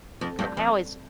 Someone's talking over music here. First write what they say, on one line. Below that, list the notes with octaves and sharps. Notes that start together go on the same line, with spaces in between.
because I always
F2
G2
F2